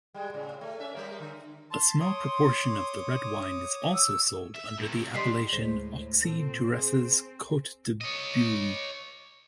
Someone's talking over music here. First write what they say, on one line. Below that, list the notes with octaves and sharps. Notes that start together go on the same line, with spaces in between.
A small proportion of the red wine is also sold under the appellation "Auxey-Duresses-Côte de Beaune".
G3 G#3
A2 C#3
A3
C#4 E5
G3 A#3 A#4
D3
A5 C6
C#5 D6 D#6
E6
E5
A2 C3
D#3 D4 G4 D#5 C6 B6 C7
D2 A2 G#3 C5
A#2 C4 A4
G#4
C#5 D#5